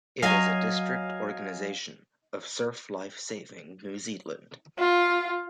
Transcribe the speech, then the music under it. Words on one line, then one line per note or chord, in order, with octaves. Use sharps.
It is a district organization of Surf Life Saving New Zealand.
F#3 D#5 F5 G#5
F4